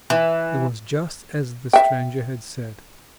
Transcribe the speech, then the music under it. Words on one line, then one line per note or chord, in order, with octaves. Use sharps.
It was just as the stranger had said.
E3
E5 G5